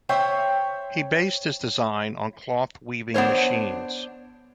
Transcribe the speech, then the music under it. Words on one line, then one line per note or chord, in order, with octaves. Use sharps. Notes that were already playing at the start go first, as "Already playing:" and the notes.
He based his design on cloth weaving machines.
C5 C#5 E5 G5
B3 D4 C5 C#5